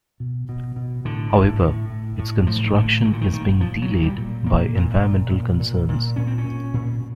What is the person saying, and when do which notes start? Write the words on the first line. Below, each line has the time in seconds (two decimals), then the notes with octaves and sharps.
However, its construction is being delayed by environmental concerns.
0.20 B2
0.49 B2
0.76 B2
1.05 A2 D3
1.33 A2
1.62 A2
1.90 A2
2.19 A2
2.47 A2 F3
2.56 E3
2.65 D#3
2.76 A#2 D3
3.04 A#2 D#3
3.13 D3
3.21 D#3
3.33 A#2 D#3
3.60 A#2 F3
3.82 F#3
3.90 A#2
4.03 G3
4.17 A#2
4.46 A#2 A#3
4.75 A#2
5.03 A#2
5.32 A#2
5.59 A#2
5.89 A#2
6.16 A#2 C#4
6.27 C4
6.38 C#4
6.45 A#2
6.73 A#2